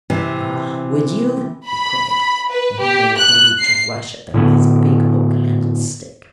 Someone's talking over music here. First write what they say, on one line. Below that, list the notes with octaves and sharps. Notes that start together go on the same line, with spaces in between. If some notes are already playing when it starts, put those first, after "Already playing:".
"Ah, would you?" he cried; and he made believe to rush at them with his big hook-handled stick.
C3 E3
B5
B4
G4
F#6
C7
A2 D3 B3